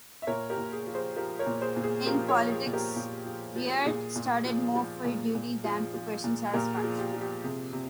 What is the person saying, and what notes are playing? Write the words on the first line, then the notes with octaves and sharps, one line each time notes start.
In politics, Riart started more for duty than for personal satisfaction.
E5
A#2 A#4 C#5
G4 A#4
A#2
G#4
F3
G#4 C5
F3 G4 A#4
A#4 C#5
A#2
G#4 C5
A#2
G#4
F3 G4 A#4
A#4 C#5
F3
G#4
A#2
G4 A#4
A#2
F3
F3
A#2 G#4
A#2
F3
F3
A#2
A#2
F3 G#4
F3
A#2
A#2 G4 A#4
G#4
F3
G4
F3
G4
C3 G#4
C3